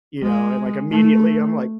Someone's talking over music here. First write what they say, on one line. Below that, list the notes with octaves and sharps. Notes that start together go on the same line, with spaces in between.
you know, and, like, immediately, I'm like
G#3
A3